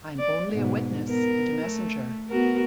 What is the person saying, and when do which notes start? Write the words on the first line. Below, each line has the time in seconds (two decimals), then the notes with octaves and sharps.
I'm only a witness and a messenger.
0.19 D5
0.53 G#2 B2
1.06 B3 A#4
1.64 A3
2.29 B3 F#4 A#4